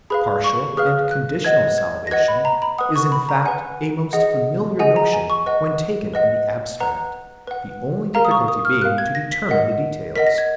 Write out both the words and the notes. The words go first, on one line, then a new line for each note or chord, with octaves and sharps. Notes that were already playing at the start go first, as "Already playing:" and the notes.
Partial and conditional salvation is in fact a most familiar notion when taken in the abstract, the only difficulty being to determine the details.
G#4 B4 F5 B5
C#6
G#4 B4 F5 F6
F#6
B4 D#5 F#5 G#6
G#6
A#6
B4 D#5 F#5 G#6
B5
A#5
B5
B4 F#5 D#6
C#6
B5
A#5
B4 F#5 G#5
G#4 D#5 F#5
G#4 D#5 F#5 G#5
A#5
G#5
C#6
B4 D#5 F#5
B4 D#5 F#5
B4 F#5 A#5
B4 F#5
A#4 F5 A#5
D#6
C#6
D#6
F6
A#4 F5 F#6
G#6
A#6
B6
A#4 D#5 F#5
A#4 D#5 F#5 B6
A#6
G#6